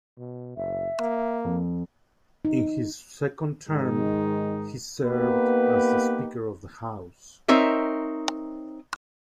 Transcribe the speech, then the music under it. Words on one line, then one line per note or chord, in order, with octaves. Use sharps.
In his second term, he served as the Speaker of the House.
B2
F#1 E5
A#3
F2
D#4
G#2 D#3 G#3 D#4
A#3 B3 D#4 G4 B4
C4 D#4 A#4 C#5 E5